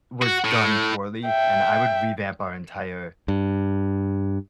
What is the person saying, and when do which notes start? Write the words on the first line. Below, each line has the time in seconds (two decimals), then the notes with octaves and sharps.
was done poorly, and I would revamp our entire
0.22 F#4
0.45 A2
1.25 E5 G5
3.28 G2